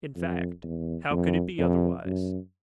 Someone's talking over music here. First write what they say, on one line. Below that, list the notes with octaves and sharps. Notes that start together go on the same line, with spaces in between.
In fact, how could it be otherwise?
F2
E2
F2
F2
F#2